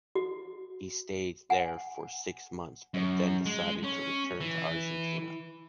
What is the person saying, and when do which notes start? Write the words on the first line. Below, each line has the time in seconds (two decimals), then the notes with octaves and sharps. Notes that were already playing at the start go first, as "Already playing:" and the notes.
He stayed there for six months, but then decided to return to Argentina.
0.15 F#4
1.50 F#5 G#5
2.94 F#2
3.46 G#3
3.84 C#4
4.41 E3